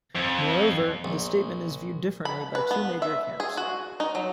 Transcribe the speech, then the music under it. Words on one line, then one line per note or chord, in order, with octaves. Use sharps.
Moreover, the statement is viewed differently by two major camps.
F2
A#1
B5
B4
B3
E5
G#4
F#4
D#4
F#3